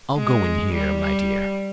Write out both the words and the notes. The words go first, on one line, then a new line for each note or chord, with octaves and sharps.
"I'll go in here, my dear."
G#3
G3
G3